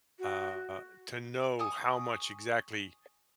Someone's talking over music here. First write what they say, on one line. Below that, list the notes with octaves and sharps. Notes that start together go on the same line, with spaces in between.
uh, to know how much exactly
F#4
G#5 C#6 D#6